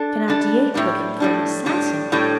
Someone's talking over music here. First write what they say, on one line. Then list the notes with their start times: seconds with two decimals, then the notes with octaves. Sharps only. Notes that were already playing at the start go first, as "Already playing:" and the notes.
Thenardier took him for an assassin.
Already playing: D4 A4
0.28 G3 D4 A4
0.74 A2 G3 D4
1.20 A2 G3 D4
1.66 A2 G3 D4
2.12 A2 G3 D4